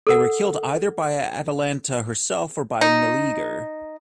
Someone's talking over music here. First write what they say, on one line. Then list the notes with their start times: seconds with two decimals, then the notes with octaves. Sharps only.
They were killed either by Atalanta herself or by Meleager.
0.07 A4 A#4 F#5
2.81 D#4